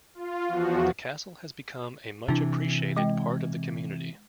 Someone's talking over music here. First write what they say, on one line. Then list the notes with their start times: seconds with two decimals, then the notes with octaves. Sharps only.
The castle has become a much-appreciated part of the community.
0.15 F4
0.47 E2 F3 F#4
2.28 C3 E3 D4 E4
2.97 G#3 D#5 G5